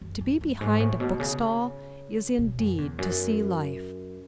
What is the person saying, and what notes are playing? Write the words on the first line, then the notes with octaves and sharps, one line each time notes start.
To be behind a bookstall is indeed to see life.
F#2
F#2
F#2
G#2
A2
B2
C#3
B2
F#2
E2
F#2